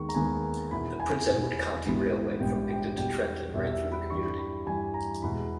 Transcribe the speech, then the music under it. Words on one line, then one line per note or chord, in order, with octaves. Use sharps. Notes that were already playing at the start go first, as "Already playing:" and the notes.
The Prince Edward County Railway from Picton to Trenton ran through the community.
Already playing: D#2 D#3 G#3 B3 C#6
A#5
D#2 D#3 G#3 B3 G#5
E1 E2 B2 B5
G#5
E1 E2 B2
A#1 G#2 E3 G3 B3
A#1 G#2 E3 G3 B3 G5
G5
E2 B2 G3 G5
E2 B2 G3 E5
E5
B5
G2 E3 G3 C#6
B5
G2 E3 G3 G#5
A#5
E2 B2 G#3 B5